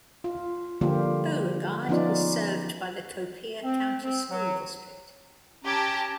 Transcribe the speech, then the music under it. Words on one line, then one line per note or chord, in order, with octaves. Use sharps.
Beauregard is served by the Copiah County School District.
F4
D3 F3 G3 A#3 F4 G4
F3 B3 C#4 D#4 F4 D5
C4
C4
F#3
C#4 G4 A5 A#5